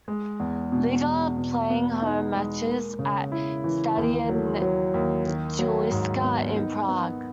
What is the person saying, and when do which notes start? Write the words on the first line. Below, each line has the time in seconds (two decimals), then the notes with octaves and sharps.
Liga, playing home matches at Stadion Juliska in Prague.
0.08 G#3
0.40 E2
0.72 B2
1.05 E2
1.37 B2
1.70 B3
2.02 D#4
2.35 G#3
2.67 A#3
2.99 C#3
3.32 E4
3.64 E3
3.97 D#2
4.29 F#3
4.62 F#3
4.94 D#2
5.26 D#3
5.59 F#3
5.91 G#2
6.24 B3
6.56 D#4
6.88 B3